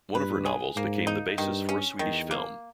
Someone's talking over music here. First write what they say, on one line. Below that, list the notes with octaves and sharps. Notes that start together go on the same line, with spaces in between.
One of her novels became the basis for a Swedish film.
G2 B4
G#4
G#2 A#3
D#4
G2 D#3
C#4
E2 D#3
A#3